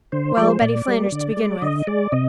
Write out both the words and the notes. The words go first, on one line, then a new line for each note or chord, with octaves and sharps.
Well, Betty Flanders, to begin with.
D3 C5
F3 G#3 D5
C5
A#2 D5
G3 A#3
D3
G#3
D3 D#5
G#3 D5
C3 D#5